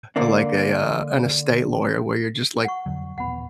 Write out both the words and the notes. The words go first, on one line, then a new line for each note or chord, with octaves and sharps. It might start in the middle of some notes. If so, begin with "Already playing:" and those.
like a, uh, an estate lawyer where you're just
D3 A#3 D4
F#5 C#6
F2 D3 F#3
D#1 A1 B3 F#5 B5